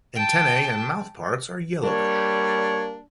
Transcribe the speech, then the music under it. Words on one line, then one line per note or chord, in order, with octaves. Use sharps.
Antennae and mouthparts are yellowish.
G5 A5
G3 A#3 D4 C#5